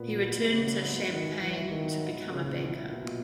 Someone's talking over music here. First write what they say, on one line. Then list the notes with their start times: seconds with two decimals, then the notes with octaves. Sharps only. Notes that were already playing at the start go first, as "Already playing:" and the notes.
He returned to Champaign to become a banker.
Already playing: A#2 B3
0.08 F#3
0.22 G#2
0.37 E4
0.52 C#3 B3
0.67 F#3
0.81 G#2
0.97 E4
1.11 D#3 B3
1.26 F#3
1.40 G#2 E3
1.56 E4
1.70 D#3 B3
1.85 F#3
2.00 G#2
2.15 E4
2.29 C#3 A#3
2.44 A#2
2.59 B1
2.74 E4
2.88 B2 A#3
3.03 A#2